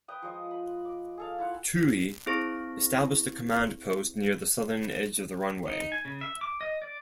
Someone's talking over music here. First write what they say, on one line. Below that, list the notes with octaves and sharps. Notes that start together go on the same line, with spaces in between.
Toohey established a command post near the southern edge of the runway.
B4 G5 D#6
F3 G#3 D#5
B5
D6
G#4 A4 F5
E4 F4 F#5
C4 E4 G#4 C5 C#6 A#6
D#4
G#5
C#3
E5
D6
D#5
D5